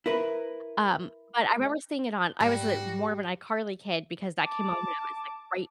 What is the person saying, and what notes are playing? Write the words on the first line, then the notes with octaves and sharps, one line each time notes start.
um, but I remember seeing it on I was, uh, more of an iCarly kid because that came out when I was, like, right
E4 A#4 B4
G#2 G3 F#4
A5 D6